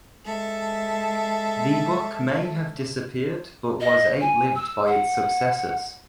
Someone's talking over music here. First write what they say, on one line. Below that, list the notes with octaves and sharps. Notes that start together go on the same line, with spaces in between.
The book may have disappeared but was outlived by its successors.
G#3 A4 E5
D#5
G#5
E6
F#5